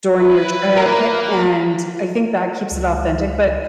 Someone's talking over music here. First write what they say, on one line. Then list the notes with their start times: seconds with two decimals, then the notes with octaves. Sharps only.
during your trip. And I think that keeps it authentic, but,
0.17 E4 B4
0.77 A#3 A#4
2.71 C#2